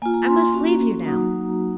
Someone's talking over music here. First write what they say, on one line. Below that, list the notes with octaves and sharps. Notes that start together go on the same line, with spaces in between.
I must leave you now.
A#3 F4 G#5
A#5
C6
A#5
A#3 C#4 F#4
F#3 A#3 D#4 F#4